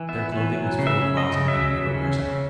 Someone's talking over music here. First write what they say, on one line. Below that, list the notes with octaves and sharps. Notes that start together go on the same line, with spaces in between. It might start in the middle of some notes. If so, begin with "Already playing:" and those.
Their clothing is full of rosin and never wears out.
Already playing: E3
B3 E5
E3
F#3
C#3
E5
C#4
D#5
C#3
F#3 E5
C#3
C#4
C#3